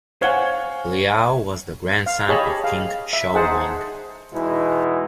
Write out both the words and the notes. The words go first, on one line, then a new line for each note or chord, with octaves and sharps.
Liao was the grandson of King Shoumeng.
C5 C#5 F5 F#5 G#5 G#6 G7
F5
G4 G#4 C#5 D#5 A5 B5
F5
E5
D#4 G#4 C5 F#5 A5
E2 B2 G#3 D#4 E4